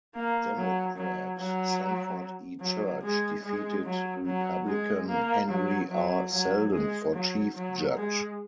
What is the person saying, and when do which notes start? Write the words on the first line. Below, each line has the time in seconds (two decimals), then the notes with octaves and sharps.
Democrat Sanford E. Church defeated Republican Henry R. Selden for Chief Judge.
0.15 A#3
0.56 F#3
0.97 F#3
1.38 F#3
2.60 F#3
3.03 G#3
3.43 G#3
3.84 F#3
4.25 F#3
4.67 G#3
5.08 A#3
5.48 F#3
5.89 F#3
6.30 F#3
6.72 G#3
7.13 F#3
7.54 F#3
7.95 G#3